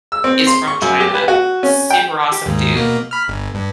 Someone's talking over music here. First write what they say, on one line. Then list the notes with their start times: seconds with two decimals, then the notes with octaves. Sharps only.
is from China, super awesome dude,
0.12 E6
0.24 C4
0.47 C6
0.67 C#6
0.82 F#2
1.00 G4
1.14 B4
1.28 F#4
1.63 C#4
1.90 G5
2.32 G4
2.46 D#2 G#2
2.75 B2 A#3
3.11 B5 F6
3.28 G1
3.55 G2